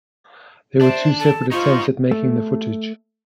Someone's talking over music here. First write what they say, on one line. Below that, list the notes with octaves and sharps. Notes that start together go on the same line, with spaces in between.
There were two separate attempts at making the footage.
D4 C5 E5
A4 A5
D#4 F4 C5 C#6
A3